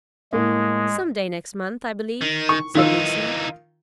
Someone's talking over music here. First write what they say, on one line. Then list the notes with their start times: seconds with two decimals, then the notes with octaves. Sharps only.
"Some day next month, I believe," said Lucy.
0.33 A2 G#3 A#3
2.21 D#3
2.49 C#6
2.75 D#3 E3 D#4 F4 E6